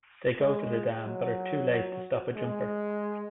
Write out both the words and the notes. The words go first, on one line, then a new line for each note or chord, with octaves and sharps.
They go to the dam but are too late to stop a jumper.
G#3
F#3
G#3